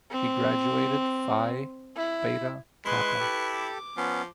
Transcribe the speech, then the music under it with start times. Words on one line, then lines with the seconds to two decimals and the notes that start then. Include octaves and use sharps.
He graduated Phi Beta Kappa.
0.11 C4
1.96 E4
2.85 G#3 E4 B4 C6 C#6
3.20 G4 A4
3.55 D6
3.97 F3 B3 C#4